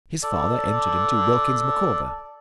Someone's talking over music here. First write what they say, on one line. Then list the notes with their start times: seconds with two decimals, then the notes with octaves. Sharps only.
His father entered into Wilkins Micawber.
0.23 A4 D5